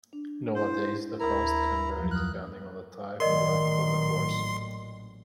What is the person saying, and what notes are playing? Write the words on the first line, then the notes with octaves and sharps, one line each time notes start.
Nowadays the cost can vary depending on the type and length of the course.
D4
E4 C5
D2 E4 A#4 A#5
F2 F3 F#3
D#6 F6 F#6
A1 A#2 D#3 F#3 A#4 D5 D#5 C6